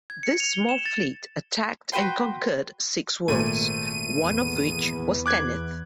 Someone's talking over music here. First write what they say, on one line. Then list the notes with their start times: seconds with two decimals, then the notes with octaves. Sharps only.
This small fleet attacked and conquered six worlds, one of which was Tanith.
0.10 G#6
0.23 C#7
0.40 F7
0.53 G7
0.69 E7
0.86 A6
1.92 F#4 B4 G5 C6
3.28 G#1 A#2 A3 G#5 D#7
4.20 E2 B3
5.26 D6 F#6 G#6